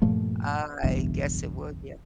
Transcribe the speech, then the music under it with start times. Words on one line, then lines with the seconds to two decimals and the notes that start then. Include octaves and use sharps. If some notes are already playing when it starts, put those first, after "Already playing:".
I guess it would, yeah.
0.02 G2 A#2 F3 A3
0.83 F#1 B1 E2 G2